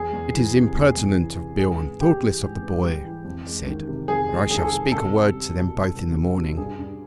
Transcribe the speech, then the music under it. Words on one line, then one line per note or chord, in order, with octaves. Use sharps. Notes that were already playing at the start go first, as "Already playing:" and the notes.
"It is impertinent of Beale and thoughtless of the boy," he said; "and I shall speak a word to them both in the morning."
Already playing: E2 G#4
E2
E3
C3
E2
E2
E3
C3
G#2 G#4
B3
G3 G4
E3
G#2
B3
G3
E3
F2
G#3
D#3
C3
F2 G#4
G#3
D#3 G#4
A4
G#4
C3
C2 A4
C2
G3
B2
C2
C2
G3
B2
G2 G#4
G2